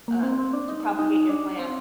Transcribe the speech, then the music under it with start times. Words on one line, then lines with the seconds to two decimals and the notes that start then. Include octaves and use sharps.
um, to propagate your plant."
0.08 A#3
0.23 C4
0.38 C4
0.53 D4
0.69 D#4
0.99 D#4
1.29 D4
1.59 C4